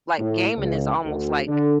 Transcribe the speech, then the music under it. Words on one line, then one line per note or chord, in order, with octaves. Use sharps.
like, gaming is almost, like,
A2
C#2
D2
D3